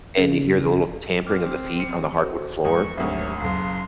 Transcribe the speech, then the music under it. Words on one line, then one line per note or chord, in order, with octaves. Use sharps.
and you hear the little tampering of the feet on the hardwood floor,
C#3
C4 D6 F6
C#7
F#4 A4 C5
E2 F3 G#3 C#6
G#1 D2 F#3 G4 A#4 C#5 E5
F#1 B1 F5 C6